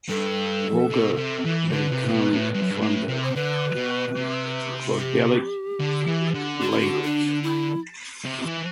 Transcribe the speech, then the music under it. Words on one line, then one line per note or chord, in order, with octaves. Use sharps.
"Roca" may come from the Goidelic language.
G2 A4
B2
C3
E3
D3 B4
C3
B2
A2
G2
F#2
G2
A2
C3
C5
D3 B4
B2
C3
G4
D3
E3
D3
F#4
E4
F#4
D4
E4
C3
E3